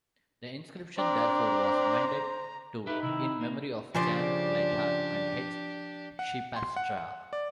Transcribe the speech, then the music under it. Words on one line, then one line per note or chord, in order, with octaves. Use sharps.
The inscription therefore was amended to "In memory of Jan Ligthart and H. Scheepstra".
C4 D4 C5 A#5
D#4 G4 A4 B4 E5
C3 D#3 E4
A#3
C#3 F3 D4 G4 C5 D5
F#5
C6
F#5
F#5
D5